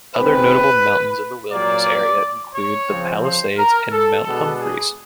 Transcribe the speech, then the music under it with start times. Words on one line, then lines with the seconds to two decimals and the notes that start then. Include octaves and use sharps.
Other notable mountains in the wilderness area include the Palisades and Mount Humphreys.
0.15 D#3 G#3 C4 B4
1.52 A#2 F#3 A#3 D5
2.55 C#5
2.89 C#3 F3 G#3 C4
3.23 C5
3.57 A#4
3.91 A4
4.25 B2 G#3 B3 D4 A4
4.60 G#4